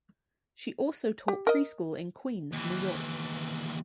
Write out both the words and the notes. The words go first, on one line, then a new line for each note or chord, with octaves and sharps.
She also taught preschool in Queens, New York.
G4
A#4 D#5
D#2 E3